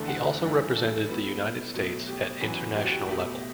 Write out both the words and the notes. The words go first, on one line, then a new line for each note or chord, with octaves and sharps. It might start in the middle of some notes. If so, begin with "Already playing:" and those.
He also represented the United States at international level.
Already playing: E2 D3 A3 A5
F#5
G2 E3 A3
A4
A2 F#3 B3
B2 F#3 A3
G4
F#2 E3 B3 F#4
G4
F#4
G4
B2 A3 G4